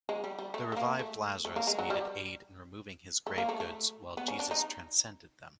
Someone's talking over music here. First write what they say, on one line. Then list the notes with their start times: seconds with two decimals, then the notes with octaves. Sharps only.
The revived Lazarus needed aid in removing his grave goods while Jesus transcended them.
0.09 G#3
0.24 G3
0.39 G3
0.54 A3
0.72 A3
0.77 A#3
0.99 A3
1.45 A3
1.56 A#3
1.67 G#3
1.79 F#3
1.90 G3
3.27 A3
3.38 A#3
3.49 A3
3.60 A3
4.17 B3
4.28 C#4
4.39 D4
4.51 D#4